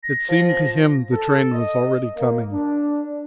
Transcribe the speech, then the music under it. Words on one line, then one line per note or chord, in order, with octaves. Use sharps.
It seemed to him the train was already coming.
A#6
F3
A4
D#5
A#3
D4